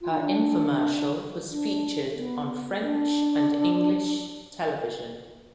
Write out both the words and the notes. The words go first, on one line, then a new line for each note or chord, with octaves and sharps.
Her infomercial was featured on French and English television.
F4
D#4
D4
D4
B3
D4